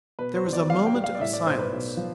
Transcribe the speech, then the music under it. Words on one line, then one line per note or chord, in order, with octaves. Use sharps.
There was a moment of silence.
B2 B4
C5
E2
D5
E2 F5
G5
G3
F5
D5
A2 E5
D5
B1 C5
B4
B1
F3